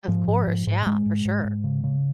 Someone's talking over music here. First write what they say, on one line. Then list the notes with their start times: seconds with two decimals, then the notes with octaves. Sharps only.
of course, yeah, for sure.
0.08 G#2 F3
0.28 G#2
0.47 G#2
0.67 G#2
0.86 G#2 G#3
1.06 G#2
1.25 G#2
1.45 G#2
1.64 C#3
1.84 C#3